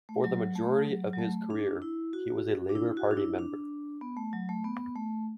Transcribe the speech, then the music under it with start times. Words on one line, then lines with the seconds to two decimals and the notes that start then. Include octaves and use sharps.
For the majority of his career he was a Labour Party member.
0.09 A3
0.24 F#3
0.55 A3
0.87 F#3
1.13 F#3
1.19 A3
1.50 D4
1.82 E4
2.13 F#4
2.69 D4
2.75 E4
2.97 F#4
3.11 D4
3.17 E4
3.39 D4
4.01 B3
4.17 A3
4.33 F#3
4.49 A3
4.64 B3
4.96 A3